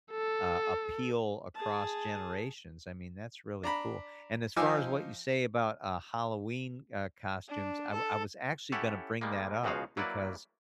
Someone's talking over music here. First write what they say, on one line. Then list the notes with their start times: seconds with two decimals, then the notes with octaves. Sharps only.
uh, appeal across generations. I mean, that's really cool. And as far as what you say about, uh, Halloween, uh, costumes, I wa I was actually gonna bring that up because,
0.12 A4
1.55 G#4 A5
3.63 D4 A#5 B5
4.56 F3 D#4 F4 G#5 D6 E6
7.47 D4
7.92 A4
8.72 C#4 E4 G4 A4 C#5 F#5
9.21 G3 G#3 A#3
9.63 C#2 B2 F3 F#4 G#4 F5
9.97 F#3 A#3 E4 B4 D5